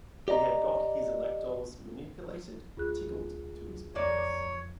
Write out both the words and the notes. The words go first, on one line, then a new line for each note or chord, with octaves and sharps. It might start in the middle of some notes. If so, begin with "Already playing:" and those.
He had got his electors manipulated, tickled to his purpose.
G4 D5 D#5 A#5
D2 F4 G#4 F#6
F2 A#3 C#5 D5